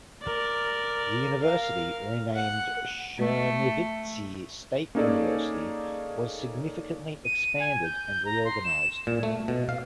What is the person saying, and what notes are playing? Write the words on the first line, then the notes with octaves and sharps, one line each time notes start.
The university, renamed "Chernivtsi State University", was significantly expanded and reorganized.
A#4 D5
A#4 F5
F#5
A3
A#3 C#4 D#4 G#4 A4 D5
D#7
G#5
G6
A#5
C6
E7
A#2
A3
B2
F5